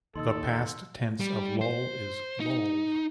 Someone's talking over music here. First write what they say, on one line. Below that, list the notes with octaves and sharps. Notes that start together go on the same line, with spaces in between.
The past tense of lol is lolled.
D#2 D#4 A4 D#5 C6 D#6 E6
G3
C5
D#4